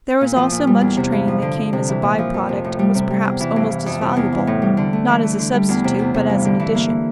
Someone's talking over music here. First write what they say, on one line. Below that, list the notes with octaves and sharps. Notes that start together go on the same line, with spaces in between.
There was also much training that came as a by-product and was perhaps almost as valuable--not as a substitute but as an addition.
A#2
F3
A#2
G3
E2
C3
G2
F3
D3
F3
C3
E3
A#2
F3
F2
C3
A2
G3
C3
G3
E2
E3
G2
E3
F2
C3
E2
E3
A2
G3
D3
A3
E3
A3
D3
G3
E2
C3
E2
C3
G2
D3
E3
A#3